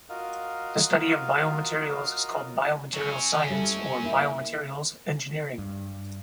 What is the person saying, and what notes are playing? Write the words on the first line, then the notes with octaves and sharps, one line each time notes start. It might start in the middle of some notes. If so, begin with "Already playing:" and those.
The study of biomaterials is called biomaterials science or biomaterials engineering.
F4 F#4 A#4 D#5 F5
F#3 C#4
G3 E4 A4
A#3 E4
G2